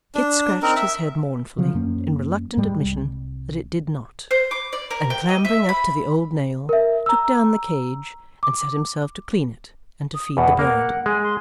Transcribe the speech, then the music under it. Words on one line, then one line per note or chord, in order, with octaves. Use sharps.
Kit scratched his head mournfully, in reluctant admission that it did not, and clambering up to the old nail took down the cage and set himself to clean it and to feed the bird.
D4
C4 D#4 A#4
E5
D3 F3 F#3
F#2 A#3 C#4
G#2 G3 G#3
C2
C5
D6
D5
A#4
G5
D#5
E5
B5
A#4 E5
A#5 E6
D6
D#6
E2 B2 F#5
A#3 A#4 F#5
G#3 G#5
C6